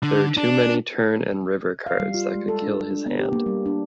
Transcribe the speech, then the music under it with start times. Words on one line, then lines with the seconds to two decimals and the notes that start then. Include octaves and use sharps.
There are too many turn and river cards that could kill his hand.
0.03 D3
0.37 D4
1.86 F5
2.00 G3
2.14 F4
2.35 G#3
2.48 A4
2.62 D4
2.90 D4
3.06 B3
3.19 G4
3.33 A#3
3.46 G3
3.66 D4